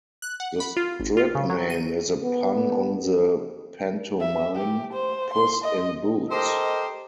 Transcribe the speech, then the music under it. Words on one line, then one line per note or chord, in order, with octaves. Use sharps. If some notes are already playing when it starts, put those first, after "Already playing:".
The strip name is a pun on the pantomime "Puss in Boots".
F#6
F#5
B5
F4
G#1
F4
C#3
F#3
D#7
B3
E5
G4
C5
C6
D#5
G4 A4 A#4 C5 D#5